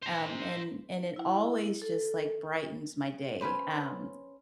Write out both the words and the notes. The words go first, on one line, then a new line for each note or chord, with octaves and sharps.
um, and and it always just, like, brightens my day, um,
C5 A#5
E4
A4
C#4 D#4 B4 C5